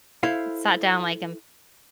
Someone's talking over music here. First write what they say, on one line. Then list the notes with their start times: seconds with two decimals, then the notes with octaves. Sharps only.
sat down, like, and
0.23 E4 A4 C5 E5 F5